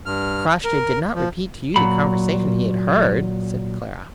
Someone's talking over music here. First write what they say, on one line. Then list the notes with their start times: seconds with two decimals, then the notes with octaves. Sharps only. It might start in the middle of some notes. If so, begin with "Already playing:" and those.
"Crossjay did not repeat to you the conversation he had heard?" said Clara.
0.06 G2 F6
0.64 A#4
1.15 F3
1.76 A#2 F#3 B5